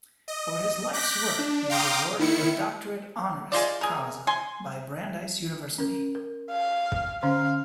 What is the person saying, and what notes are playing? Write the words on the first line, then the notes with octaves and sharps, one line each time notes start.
For his life's work he was awarded a Doctorate Honoris Causa by Brandeis University.
D#5
D6 F#6 G6 A#6 B6
D4
F5 G5 A#5 C6 D6 D#6
D#3 E4 C#7
G#3 A#3 F4 D5
G#4 A#4
G#5 C6
C#4 A#4
A#4
F5
D3 C#4 F5